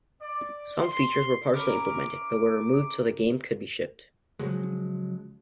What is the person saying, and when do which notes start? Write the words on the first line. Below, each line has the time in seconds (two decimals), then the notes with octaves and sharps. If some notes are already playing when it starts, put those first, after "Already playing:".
Some features were partially implemented, but were removed so the game could be shipped.
0.20 D5
0.78 C6
1.54 C#4 E4 A#4 D6
4.39 C#3 F3 F#3 G#3